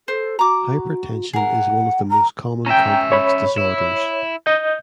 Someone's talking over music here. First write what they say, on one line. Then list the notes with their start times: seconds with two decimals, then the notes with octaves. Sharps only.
Hypertension is one of the most common complex disorders.
0.08 A4 C5
0.39 F#4 A#5 D6
1.33 G#4 A#4 F#5
2.09 A#5
2.66 C#4 E5 G5 A#5
3.12 C#5 B5
3.58 E4
4.46 D#5 G6